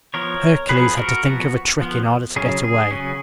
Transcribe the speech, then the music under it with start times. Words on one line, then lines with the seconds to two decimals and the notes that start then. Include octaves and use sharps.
Hercules had to think of a trick in order to get away.
0.14 F3 B3 A#4 C#5
0.69 F3 B3 G#4 B4
0.97 F#4 A#4
1.25 F3 B3 F#4
1.81 F3 B3
2.36 C#3 F#3 C#4 G#4
2.64 G#4
2.91 C#3 F#3 C#4